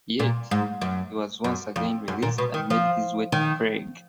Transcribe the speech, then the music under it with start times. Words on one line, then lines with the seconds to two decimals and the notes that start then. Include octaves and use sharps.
Yet, he was once again released and made his way to Prague.
0.19 A#2
0.51 G#2
0.81 F#2
1.44 F#2
1.76 F2
2.08 F#2
2.23 A#2
2.38 B2
2.54 D#3
2.70 F3
3.32 D#3